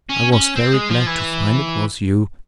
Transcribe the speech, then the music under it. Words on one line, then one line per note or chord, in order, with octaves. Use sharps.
I was very glad to find it was you.
C#4
C#4
C4
G#3
F3
E3